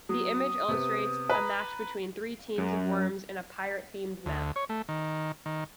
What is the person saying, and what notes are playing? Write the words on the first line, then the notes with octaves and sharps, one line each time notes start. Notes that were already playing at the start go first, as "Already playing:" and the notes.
The image illustrates a match between three teams of worms in a pirate-themed map.
F#3 D#6
C3 B3
B4 A#5
F#2
D2
C#5
A3
D#3
D#3